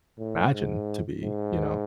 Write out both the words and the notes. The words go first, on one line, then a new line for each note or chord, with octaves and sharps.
imagine to be, you know?
A2
G#2
G#2